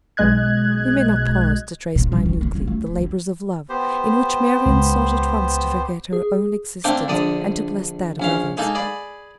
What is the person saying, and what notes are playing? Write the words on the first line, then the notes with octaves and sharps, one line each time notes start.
We may not pause to trace minutely the labors of love in which Marian sought at once to forget her own existence and to bless that of others.
B1 G#3 D#5 F#6 G#6
A#2
C2
C#3
A#3
E1
A3
D1
D3
B3 G4 C5
C#2
G#4
A3 A#3 C4 D4 A4 G5
A#1 D3 D5 D#6
A#1 C#4 F5
G#3 A#3 D#4 A4
G#4 D5 B5